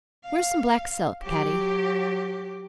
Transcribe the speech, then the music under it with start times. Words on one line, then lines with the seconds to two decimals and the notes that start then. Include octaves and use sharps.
"Where's some black silk, Patty?"
0.25 F5
1.23 F#3 G4